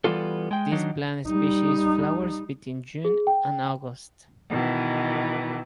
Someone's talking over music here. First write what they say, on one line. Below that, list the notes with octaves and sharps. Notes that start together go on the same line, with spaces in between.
This plant species flowers between June and August.
E3 G3 B3 F4 A4
G#3 G5
D#3 F#3 D4 D#4
G3 D#4
G#4
G5
B2 D#3 E3